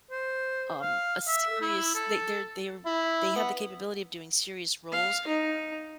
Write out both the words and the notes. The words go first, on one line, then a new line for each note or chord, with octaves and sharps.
um, a serious they they're they're they have the capability of doing serious roles,
C5
F5
E5
E4
A4
E4
B3
F5
D#4